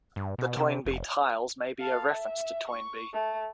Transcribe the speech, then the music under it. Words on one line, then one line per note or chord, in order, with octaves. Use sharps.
The Toynbee tiles may be a reference to Toynbee.
G2
B2
C3
F1
A4 F5
E5
C#6
A3